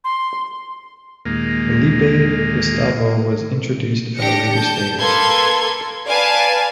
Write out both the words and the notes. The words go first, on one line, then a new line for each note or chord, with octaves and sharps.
Felipe Gustavo was introduced at a later stage.
C6
D#2 A#2 G#3 A#3
D4 G4 A#6 C#7
A5 G6
A#3 A4 B4 C6 G#6
B4 D5 F5 G#5 A5